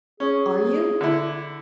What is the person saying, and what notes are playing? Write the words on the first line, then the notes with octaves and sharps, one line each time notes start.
"Are you?"
C#4 G#4
D3 E4